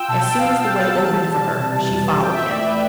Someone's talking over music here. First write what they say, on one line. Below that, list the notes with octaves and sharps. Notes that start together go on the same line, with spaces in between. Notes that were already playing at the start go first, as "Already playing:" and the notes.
As soon as the way opened for her, she followed him.
Already playing: F4 G5 E6
B2 A5
G5
B3 F5
G5
B2
A5
E3
G3
C3
E2
F3 G5
E5
A3 D5
B4